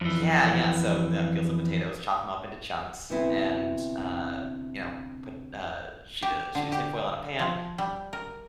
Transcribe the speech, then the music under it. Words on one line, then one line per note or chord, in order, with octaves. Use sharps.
Yeah, yeah, so, yeah, peel some potatoes, chop 'em up into chunks, and, uh, you know, put, uh, a sheet a sheet of tinfoil on a pan,
F2 E3
D2 C3 B3 C4 E4
G4
D3
G4
F3
G3
A#4